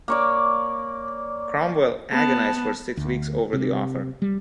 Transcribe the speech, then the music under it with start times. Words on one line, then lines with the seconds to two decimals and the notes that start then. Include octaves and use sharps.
Cromwell agonised for six weeks over the offer.
0.08 A#3 C#5 D5
2.11 B3 A5
2.97 D2
3.53 C3
4.22 G3